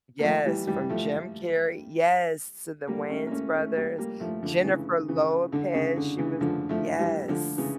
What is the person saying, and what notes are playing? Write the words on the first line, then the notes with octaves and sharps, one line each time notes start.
Yes, from Jim Carrey Yes, to the Wayans brothers. Jennifer Lopez, she was Yes.
A#3
F3 A3
E3 G3
E3 G3
F3 A3
G3 A#3
A3 C#4
A#3
A3 C#4
A3 C#4
G3 A#3
G3 A#3
F3 A3
D3 F3
C#3 E3
C#3 E3
D3
C#3
D3
C#3 E3
D3 F3
F3 A3
E3 G3
D3 F3
C#3 E3